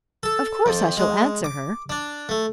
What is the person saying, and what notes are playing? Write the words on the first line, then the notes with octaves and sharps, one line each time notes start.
"Of course I shall answer her."
A4
F2
G#3
D6
D4
A3